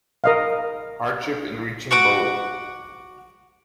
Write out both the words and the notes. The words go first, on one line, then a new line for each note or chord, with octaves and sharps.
Hardship in reaching Bo.
A#4 D#5 F5
F#4 F#5 D6